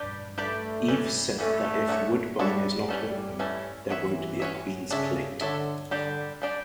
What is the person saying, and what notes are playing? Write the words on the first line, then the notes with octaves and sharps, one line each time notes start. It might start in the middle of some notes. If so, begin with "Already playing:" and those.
Eaves said that if Woodbine is not open, there won't be a Queen's Plate.
Already playing: G3 D4 G4 B4
G3 A3 D4 G4 B4 D5
E3 G3 C#4
E3 G3 A3 C#4
D4 F#4 A4 C#5 E5
G3 D4 F#4 A4 C#5 E5
E3 G3 A3 C#4 E4 A4
E3 A3 C#4 E4 A4
E3 C#4 F#4 C#5 E5
C#4 F#4 C#5 E5
C#3 D4 A4 C#5 E5
D3 D4 A4 C#5 E5
D3 G3 D4 G4 D5
G3 D4 G4 D5